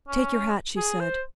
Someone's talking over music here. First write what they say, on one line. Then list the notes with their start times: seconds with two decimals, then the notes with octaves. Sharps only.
"Take your hat," she said.
0.08 C#4
0.77 G#4
1.00 C5